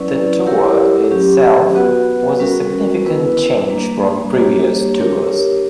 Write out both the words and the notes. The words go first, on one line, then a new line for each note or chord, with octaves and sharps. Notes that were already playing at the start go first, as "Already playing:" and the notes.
The tour itself was a significant change from previous tours.
Already playing: F#3 C#4 E4 B4 D5
E4 G4 A#4 C#5 F#5
F#3 C#4 G4
B3 F#4 B4 F#5
G3 C#4 F#4 A#4
B3 E4 B4
G3 A#3 D4
G3 A#3 D4 G4 C#5
D4 G4 A#4 C#5